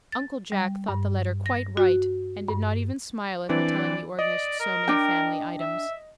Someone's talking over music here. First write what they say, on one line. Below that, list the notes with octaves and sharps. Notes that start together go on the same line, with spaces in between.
Uncle Jack thought the letter quite right, and did not even smile at her telling the organist so many family items.
A6
G3
G2
A#6
F#4
G2
E3 C4 D4 D5
D5 D#5
A#4
D4 G5
E5